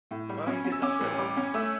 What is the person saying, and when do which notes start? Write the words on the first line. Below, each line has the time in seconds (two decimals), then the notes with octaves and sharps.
why are you getting upset about that?"
0.11 A2
0.29 G3
0.47 C#4
0.64 C#4
0.72 E6
0.82 C#4 D6
1.01 A1
1.18 G3 D6
1.36 C#4
1.54 A3 E6